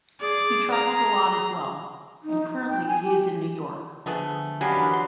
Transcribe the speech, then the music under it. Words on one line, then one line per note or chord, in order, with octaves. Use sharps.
He travels a lot as well, and currently, he is in New York.
G#4 D5
A#5
D#4
G5
G#5
G4
D3 F3 A3 B3 G#4
F#3 B3 D4 G4 D5 D#5 F5 G#5
E3 D4 A#4
F4 F#4 C6